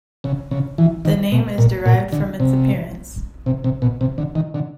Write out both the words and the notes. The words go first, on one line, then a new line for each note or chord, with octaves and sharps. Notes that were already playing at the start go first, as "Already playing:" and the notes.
The name is derived from its appearance.
C#3
C#3
E3
D#3
B2
A#2
A#2
D3
C3
C3
C3
B2
C3
D3
D#3
D3